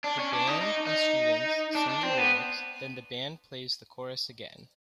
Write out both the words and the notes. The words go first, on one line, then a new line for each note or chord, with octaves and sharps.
The band and students sing the lyrics, then the band plays the chorus again.
D4
C#4
D4
D#4
D#4
D#4
D4
D4
C4
B3